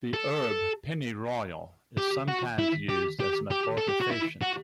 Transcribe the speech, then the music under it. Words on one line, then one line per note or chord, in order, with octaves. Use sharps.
The herb pennyroyal is sometimes used as an abortifacient.
A4
G4
F#4
E4
G4
G4
G4
A4
G4
F#4
E4
F#4